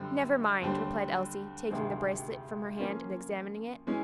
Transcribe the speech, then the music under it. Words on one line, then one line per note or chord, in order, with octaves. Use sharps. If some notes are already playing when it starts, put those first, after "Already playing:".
"Never mind," replied Elsie, taking the bracelet from her hand, and examining it.
Already playing: F#2 D3 G3 C4
D#2 D3 G3 C4
D2 C3 D#3 G#3 C4
F3 A#3 C#4 F4
E3 G#3 C#4